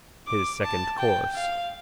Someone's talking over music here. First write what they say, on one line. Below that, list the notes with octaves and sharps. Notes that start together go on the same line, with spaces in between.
His second course.
D6
A5
G5
F5